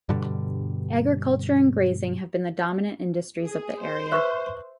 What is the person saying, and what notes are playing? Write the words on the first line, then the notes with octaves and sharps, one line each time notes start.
Agriculture and grazing have been the dominant industries of the area.
G2 B2 D3 G3
G#4
C5
B4 E5 C#6 F#6